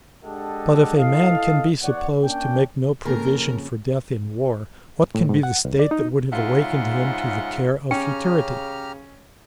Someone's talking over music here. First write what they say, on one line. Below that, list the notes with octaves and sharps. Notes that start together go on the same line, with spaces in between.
But if a man can be supposed to make no provision for death in war, what can be the state that would have awakened him to the care of futurity?
G#3 D4 G4 A4 D#5 F#5
E4 A4 D#5 F5
E2 C#5 D5 F#5
A#3 C#4 D4 G5
F2 C#3 A#3 A#4
A2
G#2
F#5
C2
D5
D#4
G#2 C#3 F4 E5 F#5
C#3 C#4 G4 G5 A#5 F6